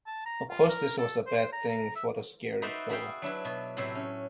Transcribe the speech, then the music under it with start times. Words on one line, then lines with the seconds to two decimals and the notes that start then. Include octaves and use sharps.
Of course this was a bad thing for the Scarecrow.
0.06 A5
0.26 A#5
0.50 F4
0.68 A#4
0.98 A4
1.27 C5
1.38 C5
1.53 A#5
1.69 A#5
1.96 E5
2.62 D#4 F#4 B4 C5 D5 E5
2.89 F#4 G#4 B4 E5 F5 G5
3.22 F#3 D4 E4 B4
3.45 B2
3.77 A2 C3 F#3 C5 E5
3.95 C#4